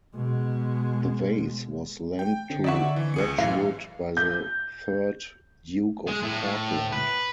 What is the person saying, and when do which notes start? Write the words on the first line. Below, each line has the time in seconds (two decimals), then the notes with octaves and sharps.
The vase was lent to Wedgwood by the third Duke of Portland.
0.15 B2 G#3
2.19 G5
2.50 D3 C4
2.64 D#4 E4 F#4 D5 E5
2.96 E3
3.14 C#2 G#4 C#7
3.38 F#2 A2 E3 F5
4.17 G6
6.07 G#3
6.23 A2
6.92 B4